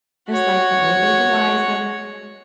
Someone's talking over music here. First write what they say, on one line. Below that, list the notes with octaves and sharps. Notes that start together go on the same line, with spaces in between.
It's like the older, the wiser,
F#4 C#5